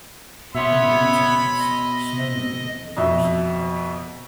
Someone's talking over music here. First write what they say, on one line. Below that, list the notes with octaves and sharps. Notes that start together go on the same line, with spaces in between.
In the winter months, snowmobiling is also popular.
B2 B3 C#5 E5 B5 C6
D#5
F2 B2 E5